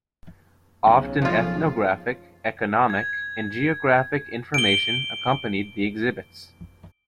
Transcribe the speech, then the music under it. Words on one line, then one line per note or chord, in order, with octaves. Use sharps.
Often ethnographic, economic, and geographic information accompanied the exhibits.
B1 C#3
F3 F4
G#6
D7 G7